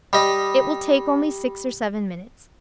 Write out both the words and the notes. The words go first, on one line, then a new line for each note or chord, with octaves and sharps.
It will take only six or seven minutes.
G3 D#5